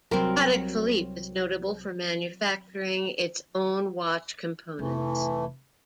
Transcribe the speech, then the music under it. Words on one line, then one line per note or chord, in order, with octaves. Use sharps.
Patek Philippe is notable for manufacturing its own watch components.
C2 C3 F#3 C4 A#4
F1 E3 A3